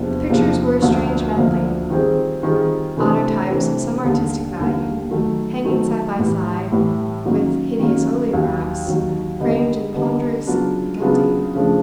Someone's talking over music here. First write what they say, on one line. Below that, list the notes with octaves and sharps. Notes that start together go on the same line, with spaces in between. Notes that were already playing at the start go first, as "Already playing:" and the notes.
The pictures were a strange medley--autotypes of some artistic value hanging side by side with hideous oleographs framed in ponderous gilding.
Already playing: E2 C3 F3 A#3 D4
E2 C3 F3 A#3 D4
D2 D3 F3 A#3
D2 D3 F3 A#3
D#3 G3 C4 F4 G#4
D#3 G3 C4 F4 G#4
C3 E3 A3 D4
C3 E3 A3 D4
D#2 D3 G3 A#3
D#2 D3 G3 A#3
D#3 F#3 A3
D#3 F#3 A3
A2 E3 G3
A2 E3 G3
D#3 F#3 A#3 C#4
D#3 F#3 A#3 C#4
D#2 D#3 F#3
D#2 D#3 F#3
D3 G3 B3 D#4
D3 G3 B3 D#4
C#3 F#3 B3 D4 F4
C#3 F#3 B3 D4 F4
C#3 F3 A3 D4